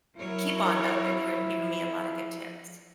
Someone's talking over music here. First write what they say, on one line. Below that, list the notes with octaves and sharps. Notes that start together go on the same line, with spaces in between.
keep on, though, but you were giving me a lotta good tips.
F#3 E4 A#4 C#5
F3